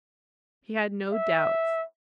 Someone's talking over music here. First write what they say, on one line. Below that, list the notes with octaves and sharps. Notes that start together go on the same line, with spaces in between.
He had no doubts.
E5